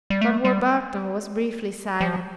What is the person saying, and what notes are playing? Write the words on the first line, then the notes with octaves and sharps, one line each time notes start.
Lord Warburton was briefly silent.
G3
A3
G3
F3